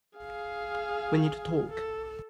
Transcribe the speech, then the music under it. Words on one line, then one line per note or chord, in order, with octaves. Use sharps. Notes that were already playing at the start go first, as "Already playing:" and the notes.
We need to talk.
G#4 F5
A4